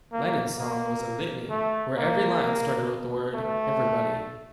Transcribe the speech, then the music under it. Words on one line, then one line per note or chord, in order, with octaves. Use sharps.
Lennon's song was a litany where every line started with the word "everybody".
A#3
A#3
A3
A#3
A3